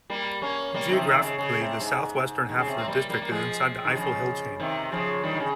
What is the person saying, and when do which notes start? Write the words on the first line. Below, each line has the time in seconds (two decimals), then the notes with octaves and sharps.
Geographically, the south-western half of the district is inside the Eifel hill chain.
0.10 G3 A#3
0.42 A#3 C#4
0.74 G3 A#3
0.90 C3 D#3
1.01 F3
1.06 C3 D#3
1.23 C#3
1.38 C#3
1.60 C3
1.81 G#2
2.49 D#3
2.58 C#3
2.67 C3
2.78 C4
2.88 G3 A#3
3.09 G3 A#3
3.22 A#3
3.31 F3 G#3
3.85 D#3
3.95 C#3 F3
4.60 C3 D#3
4.92 C#3 F3
5.23 D#3 G3
5.35 D#3
5.40 C#3